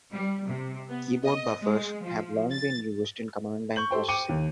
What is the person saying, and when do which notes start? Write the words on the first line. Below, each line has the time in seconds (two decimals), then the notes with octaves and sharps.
Keyboard buffers have long been used in command-line processing.
0.11 G3
0.48 C3
0.88 B3
1.24 D#5
1.60 G#3
2.02 F3
2.51 A6
3.76 C#6 G6 F#7
3.91 G4 A4 C5 G5
4.08 G5 D6 C#7 D#7
4.29 D#2